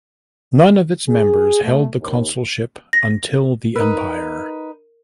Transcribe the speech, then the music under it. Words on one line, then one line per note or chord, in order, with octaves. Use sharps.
None of its members held the consulship until the Empire.
G#4
A3
D#2
A#6
D#4 A#4 B4